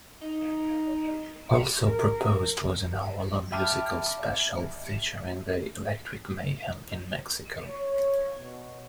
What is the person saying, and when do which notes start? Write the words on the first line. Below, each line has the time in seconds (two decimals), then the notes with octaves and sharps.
Also proposed was "an hour-long musical special featuring The Electric Mayhem in Mexico".
0.21 D#4
1.82 A#4
3.52 E5 G5 A5 B5 D6 F6
7.69 C#5
8.38 B2